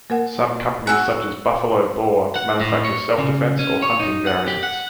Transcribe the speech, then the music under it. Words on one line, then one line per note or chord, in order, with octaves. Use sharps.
Some companies such as Buffalo Bore manufacture self-defense or hunting variants.
A#3 A#4 F#5
F#4 G#5 E6
F#5
A2
C#5
C#3
C#4
C#5
D#4
F#5
G4
F#5